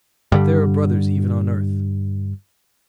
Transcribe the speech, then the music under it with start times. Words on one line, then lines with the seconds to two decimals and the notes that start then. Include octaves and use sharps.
But there are brothers even on earth....
0.32 G2 D3 G3